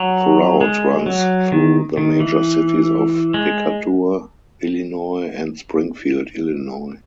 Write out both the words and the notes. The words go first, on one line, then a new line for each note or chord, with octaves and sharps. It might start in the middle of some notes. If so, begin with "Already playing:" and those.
The route runs through the major cities of Decatur, Illinois and Springfield, Illinois.
Already playing: F#3
G#3
F#3
D#3
D#3
E3
G#3